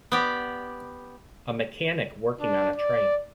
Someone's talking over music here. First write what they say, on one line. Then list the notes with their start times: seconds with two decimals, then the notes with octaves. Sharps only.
A mechanic working on a train.
0.12 B3 G4 D5
2.40 D4
2.76 D5